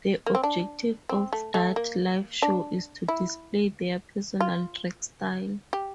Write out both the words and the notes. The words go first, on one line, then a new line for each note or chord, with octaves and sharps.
The objective of that live show is to display their personal drag style.
A#3
C4
D4
C4
A3
A3
A#3
D4
E4
F4
G4